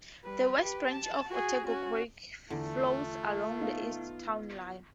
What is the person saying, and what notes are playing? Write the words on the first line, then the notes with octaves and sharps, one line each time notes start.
The West Branch of Otego Creek flows along the east town line.
G3 B4
G4 B4
A5
F#4 G#4
C#4 F#4
E2 D3 A3 F4
B3 D#4 F5